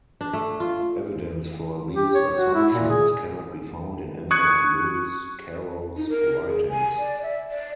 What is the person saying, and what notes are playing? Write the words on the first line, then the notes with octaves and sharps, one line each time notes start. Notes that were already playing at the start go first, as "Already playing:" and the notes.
Evidence for these assumptions cannot be found in any of Lewis Carroll's writings.
D4
A3
F4
G4
C#5
F#4
E4
A#2
G#4
C#6 D#6 F#6 G#6 C#7
D#4
A#4
G#4
G#5
D5
E5
D5